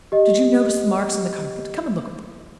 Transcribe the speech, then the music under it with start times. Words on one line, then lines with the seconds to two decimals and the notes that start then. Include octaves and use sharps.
Did you notice the marks on the carpet?--Come and look at them.'
0.12 G4 D#5